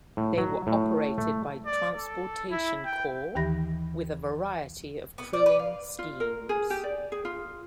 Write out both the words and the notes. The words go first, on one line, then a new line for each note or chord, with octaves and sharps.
They were operated by Transportation Corps with a variety of crewing schemes.
A2
F#3
A2
A3
D5
A4
E4
G5
D#2 D#3 E3 G4 B5 A#6
B3
D5
B4
F5
F4
A#4
G#4
G4
D5
G#4
F4